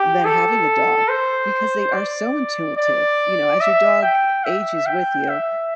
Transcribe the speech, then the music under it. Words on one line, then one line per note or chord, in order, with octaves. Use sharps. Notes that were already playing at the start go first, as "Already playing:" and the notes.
than having a dog, because they are so intuitive, you know, as your dog ages with you,
Already playing: G4
A4
C5
D5
D5
E5
G5
E5
G5
E5